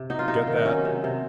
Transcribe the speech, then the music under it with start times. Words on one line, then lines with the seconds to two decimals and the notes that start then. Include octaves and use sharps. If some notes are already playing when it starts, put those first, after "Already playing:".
Get that?
Already playing: C3
0.10 F#3 D#4
0.19 F4
0.28 C3 D#4
0.47 D#3
0.57 D#4
0.66 F#3 C#4
0.85 C3
1.04 C3